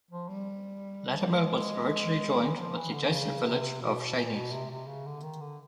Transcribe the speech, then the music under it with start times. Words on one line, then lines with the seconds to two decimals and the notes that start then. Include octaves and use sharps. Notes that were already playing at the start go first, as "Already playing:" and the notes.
Latimer was originally joined with the adjacent village of Chenies.
0.11 F3
0.29 G3
1.35 G#3
1.52 G#3
2.40 E3
2.58 F3
2.76 E3
2.93 D3
3.11 C#3
3.47 C3
3.81 B2
4.16 A#2
4.35 B2
4.52 C3
4.70 C3
4.87 C#3
5.06 D3
5.23 D#3
5.41 D3